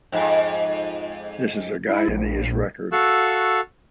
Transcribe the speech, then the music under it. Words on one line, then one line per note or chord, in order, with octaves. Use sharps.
This is the Guyanese record.
F2 G#2
E4
A#1
F#4 A4 F5 C#6 E6 F#6